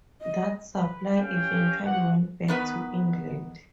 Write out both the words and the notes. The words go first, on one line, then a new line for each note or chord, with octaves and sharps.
That supply eventually went back to England.
D#5
B4
C#4 G4 C#5 F5 G5
C#2 G2 B2 F#4 G4 F#5
D#3 B3 B4